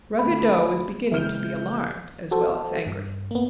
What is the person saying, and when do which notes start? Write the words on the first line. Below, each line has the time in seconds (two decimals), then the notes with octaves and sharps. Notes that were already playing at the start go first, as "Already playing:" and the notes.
Ruggedo was beginning to be alarmed as well as angry.
0.19 D3 A3 B5
1.12 C#3 E3 G#3 C4 E4 F6 G6
2.31 F#4 A4 C5
2.87 G2
3.31 A#3 B3